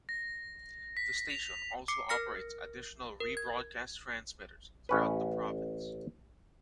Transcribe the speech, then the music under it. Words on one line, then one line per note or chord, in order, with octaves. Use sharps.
The station also operates additional rebroadcast transmitters throughout the province.
A#6
B6
F7
D6 C7 C#7
A#4 F6 A#6 C#7
A#4
G#6
A1 C#4 B4